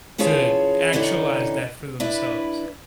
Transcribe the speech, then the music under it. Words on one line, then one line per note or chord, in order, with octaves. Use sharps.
to actualize that for themselves.
E3 C#4 F4 G#4 C#5 A5
G2 D3 E3 C#4 D#4
D4 E4 B4